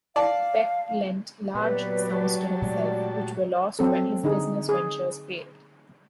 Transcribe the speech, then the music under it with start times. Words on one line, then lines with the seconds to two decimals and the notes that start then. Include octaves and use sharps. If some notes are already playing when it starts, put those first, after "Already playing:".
Peck lent large sums to himself, which were lost when his business ventures failed.
0.16 D5 F5 A5
1.55 A#2 F#3 B3 G4 B4 D5
2.13 F#4 G4 A5
2.62 A#2 G#3 A3 D5
3.79 F#3 C4 A4
4.23 D3 D#4 G#4
4.69 G#4